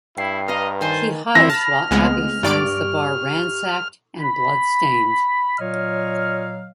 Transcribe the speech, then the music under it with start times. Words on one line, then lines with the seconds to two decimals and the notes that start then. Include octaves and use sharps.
He hides while Abby finds the bar ransacked and bloodstained.
0.18 G2 E4 G5 C7
0.48 B4 D#5 F5 A#5 C6
0.81 D#3 C5 G#5 A5
1.35 E3 C4 E4 A#6
1.49 A5 B5 F6
1.91 C#2 G#3 A3 B3 C4
2.43 G2 G4 D5 C#6 D7
4.19 B5
5.59 A#2 F#3 C#5 D#5 F5 F6